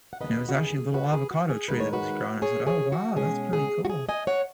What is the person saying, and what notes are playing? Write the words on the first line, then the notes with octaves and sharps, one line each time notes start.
and it was actually a little avocado tree that was growing. I said, "Oh, wow that's pretty cool."
F#5
D#2 C#3 B3 B4 D#5
F#4
G#4
F#4 B4
G#4
F#4
G#4
D#2 D#3 G#3 B3 D#4 B4
C#5
F#4 B4
G#4 C#5
G#4 C#5
F#4
B2 G#3 C#4 G#4
G#4
F#4
G#4
D#5 G#5
C#5 F#5